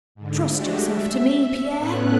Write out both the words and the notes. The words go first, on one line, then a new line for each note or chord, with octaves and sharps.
Trust yourself to me, Pierre.
G#2 D3
G#3 A3 D4 F#4 G4
E5
E5
A2 A3 B3 C#4 F#6